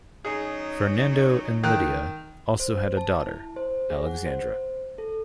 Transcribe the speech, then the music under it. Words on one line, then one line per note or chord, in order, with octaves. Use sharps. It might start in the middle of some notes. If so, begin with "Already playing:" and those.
Fernando and Lydia also had a daughter, Alexandra.
F#3 C#4 D#4 G#4
D#3 F#6
C5
A5
E4
C5
G#4
F#5
C5
A4